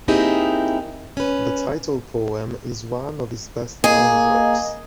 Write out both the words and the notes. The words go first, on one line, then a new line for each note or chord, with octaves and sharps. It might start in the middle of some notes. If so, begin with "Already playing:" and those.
The title poem is one of his best known works.
A#3 C4 D#4 E4 G4 G#4
C#4 B4
A#3 G#4 D#5